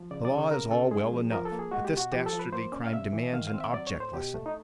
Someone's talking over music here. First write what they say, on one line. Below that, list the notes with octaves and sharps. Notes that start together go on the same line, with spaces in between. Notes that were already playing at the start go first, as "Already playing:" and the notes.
"The law is all well enough, but this dastardly crime demands an object lesson."
Already playing: F3
C#3 D5
D5
C#3
C#5
C#3 A#4
C#4 A4
G#3 G#4
F3
F3 A#4
A4
A#3
G#4
G#3 F#4
G4
B2
F#4
F3 G4
A4
F3
B4
A#3 C5
C#4 D5
F5
C3 E5
E3
D#3 F5
F5
C4
E5
F#3 D5
C#5
A2
C5
B2 G4
A3
D#4